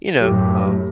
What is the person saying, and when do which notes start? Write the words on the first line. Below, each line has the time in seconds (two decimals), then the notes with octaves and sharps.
you know, um
0.21 F#2 A2 G4